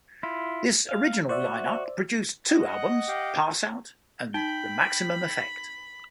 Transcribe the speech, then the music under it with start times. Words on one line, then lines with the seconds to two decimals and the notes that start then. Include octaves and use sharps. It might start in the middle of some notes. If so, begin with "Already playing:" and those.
This original line-up produced two albums, "Passout" and "The Maximum Effect".
0.23 E4 F4
0.89 F5
1.29 F#4 C5 D5 E5
2.50 D#5 F#5
3.08 G4 F5 G5
4.34 D#4 G5 B5